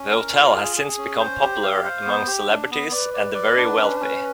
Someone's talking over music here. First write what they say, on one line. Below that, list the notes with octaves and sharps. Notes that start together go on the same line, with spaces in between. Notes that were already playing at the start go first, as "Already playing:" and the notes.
The hotel has since become popular among celebrities and the very wealthy.
Already playing: C#4
A#4
F4
G#4
G#4
C#4
C5
G4
F5
C5
B3
G4
D4
B3
B4 D5
D5
D5
D4
C#4
C#4